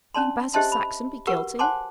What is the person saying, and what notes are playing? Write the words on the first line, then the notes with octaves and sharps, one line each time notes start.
Can Basil Saxon be guilty?
C#4 D4 D5 A5 C6
G4 C5 D#5 E5 A5 C6
B5
F#4 G4 A#4 B4 F#5 C#6
C5 F#5 G#5 A5 C6 D6